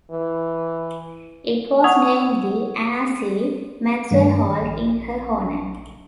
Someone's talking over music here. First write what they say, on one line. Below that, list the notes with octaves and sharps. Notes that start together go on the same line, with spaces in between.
It was named the "Anna C. Maxwell Hall" in her honor.
E3
F#5 C#6 D#6 E6 G#6 F7
G2 D#3 A3
A#1